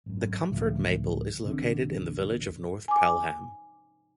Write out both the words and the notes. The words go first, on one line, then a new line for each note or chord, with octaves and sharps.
The Comfort Maple is located in the village of North Pelham.
G#1 F#2
C#2 A2 D3 F3
A#1 E2 D3 C4
G#5 D6